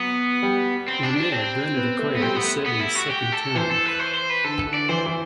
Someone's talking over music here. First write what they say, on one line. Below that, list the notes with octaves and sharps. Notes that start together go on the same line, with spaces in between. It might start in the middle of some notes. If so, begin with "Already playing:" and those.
The mayor, Bernard Accoyer, is serving his second term.
Already playing: F#3 B3
G3
C4
D4
D4
C4
B3
A3
B3
G3 C4
B3
A3
B3
E4
F#4
G4
A4
E3 C5
A4
B4
C5
C5
B4
D3 A4
D3
D5
E3 C5
E3